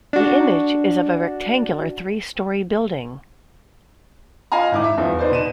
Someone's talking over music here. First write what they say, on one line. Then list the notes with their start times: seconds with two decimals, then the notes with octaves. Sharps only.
The image is of a rectangular three-story building.
0.13 D4 F#4
4.52 F4 D#5 F5 G#5 A#5
4.72 G#1 E4 D6
4.84 E5
4.97 E2 F3
5.19 D#4 B4 C5 D5
5.31 B2 D#7 E7